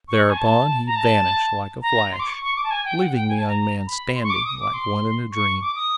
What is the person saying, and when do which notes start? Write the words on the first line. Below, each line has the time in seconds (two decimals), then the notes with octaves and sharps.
Thereupon he vanished like a flash, leaving the young man standing like one in a dream.
0.08 C#6
0.22 C#6
0.30 G#5
0.37 A5
0.86 A#5
0.95 A5
1.82 A#5
2.12 C6
2.20 D6
2.27 C#6
2.41 C#6
2.56 D6
2.64 A5
2.71 G#5
2.85 G5
3.00 F#5
3.14 G5
3.29 G#5
3.38 A5
3.48 A#5
3.87 B5
4.15 C6
4.24 C#6
4.30 D6
4.45 D#6
4.60 D6
4.73 C6
5.32 C#6
5.62 D6
5.76 D#6